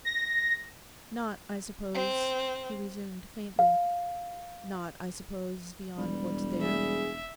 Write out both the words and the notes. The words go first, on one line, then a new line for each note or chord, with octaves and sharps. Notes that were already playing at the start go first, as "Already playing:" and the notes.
'Not, I suppose,' he resumed faintly--'not, I suppose, beyond what's there.'
A#6
C4
F5
E1 G3
G#4 E5